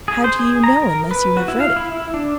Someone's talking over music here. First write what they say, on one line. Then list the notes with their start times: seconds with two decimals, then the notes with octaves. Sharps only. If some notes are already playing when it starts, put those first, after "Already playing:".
"How do you know, unless you have read it?"
0.08 G#4
0.24 C5
0.39 G#4
0.64 A#5
0.82 A#4
1.11 B4
1.37 F#4
1.48 E4
1.60 F5
1.77 E4
1.92 E4
2.14 D4